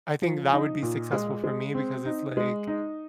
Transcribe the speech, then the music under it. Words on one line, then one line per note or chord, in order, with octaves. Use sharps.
I think that would be successful for me because it's like,
F3
D#4
A#2
G#3
G#3
C4
D#4
G#3
D#4